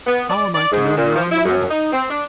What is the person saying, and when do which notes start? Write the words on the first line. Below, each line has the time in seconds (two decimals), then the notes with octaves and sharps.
"How am I to know you're on the level?"
0.06 B3
0.30 D5
0.55 D5
0.72 G#2
0.96 A#2
1.16 F3
1.32 E4
1.45 F#2
1.70 D#4
1.92 C4
2.10 D4